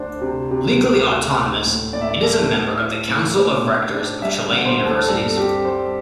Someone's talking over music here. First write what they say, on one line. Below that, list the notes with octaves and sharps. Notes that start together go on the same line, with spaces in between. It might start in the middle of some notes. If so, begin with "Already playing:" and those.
Legally autonomous, it is a member of the Council of Rectors of Chilean Universities.
Already playing: D2 D4 C5
C3
C3
D2
A3
D2
A2
A2 D5
E5
D5
A2 A4
A2
E4
A2
A2
D4
D4
G3 E5
D3
C5
D2
A4
G2 A4
C4 G4
G2 C5